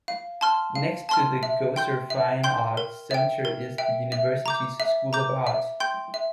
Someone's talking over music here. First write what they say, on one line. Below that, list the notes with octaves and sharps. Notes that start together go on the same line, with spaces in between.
Next to the Gosser Fine Arts Center is the University's School of Art.
F5
A5 C6 F6
F5
A5 C6 F6
E5
G5 C6 G6
E5
G5 C6 G6
A#4
E5 G5
A#4
E5 G5
E5
A#5 D6 G6
E5
A#5 D6 G6
E5
G5 C6 G6
E5